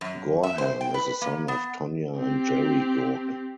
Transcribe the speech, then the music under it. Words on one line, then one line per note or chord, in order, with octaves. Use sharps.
Gorham is the son of Tonya and Jerry Gorham.
F#2
E5
C5
G5
B4
A#3
B3
C4 G4